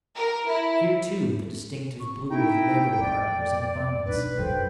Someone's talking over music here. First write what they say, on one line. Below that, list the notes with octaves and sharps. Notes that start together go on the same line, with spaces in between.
Here, too, the distinctive blue of the Labour Department was in abundance.
A#4
E4
C#6
D#4 E4 G5
F2 D5
B1 D4 B4
F#2 D3 A4 C5 G5